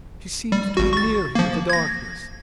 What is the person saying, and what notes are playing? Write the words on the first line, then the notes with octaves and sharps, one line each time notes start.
She seemed to be near him in the darkness.
G3
G#1 F#4
C#6 A6
F3 A#3
G#6 A#6